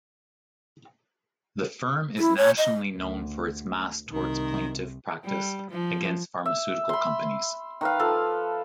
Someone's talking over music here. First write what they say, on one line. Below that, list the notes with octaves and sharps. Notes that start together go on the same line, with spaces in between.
The firm is nationally known for its mass torts plaintiff practice against pharmaceutical companies.
E4
C#5
D#5
D2
C2 D#3
G3
F3
E5
B5 C6
D#3 B4 F5
F3 A4